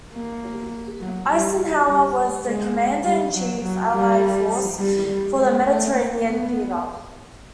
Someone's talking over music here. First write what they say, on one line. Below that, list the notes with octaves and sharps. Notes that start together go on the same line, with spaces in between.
Eisenhower was the Commander-in-Chief, Allied Force for the Mediterranean theatre.
A#3
F#3
G3
G3
G#3
G3
F#3
F#3
G3
G3
G3
G#3
A3
A#3
B3